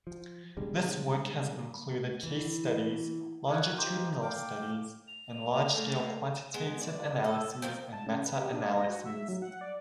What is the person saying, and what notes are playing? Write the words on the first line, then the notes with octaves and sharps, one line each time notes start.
This work has included case studies, longitudinal studies, and large-scale quantitative analyses and meta-analyses.
F3
B2 D3 G3 G#3
E3
A#4 C#5 F#5
D#4 F4 G4 C5
F5 G5 D6
F7
A3 A#3 A4
G#3 B3
D5
A4
D#3 F3 C4
A5
C#3
B4
G4
D4
A#6
F#4
E5
F#3
F#5
D5